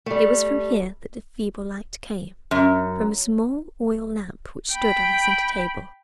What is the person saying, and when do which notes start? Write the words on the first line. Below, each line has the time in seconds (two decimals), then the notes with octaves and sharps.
It was from here that the feeble light came--from a small oil lamp which stood on the centre table.
0.06 G3 A3
2.51 F#2
4.73 G5 B5